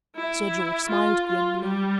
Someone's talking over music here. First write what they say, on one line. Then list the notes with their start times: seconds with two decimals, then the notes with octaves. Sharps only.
Sir George smiled grimly.
0.16 E4
0.90 F4
1.27 F4
1.63 G3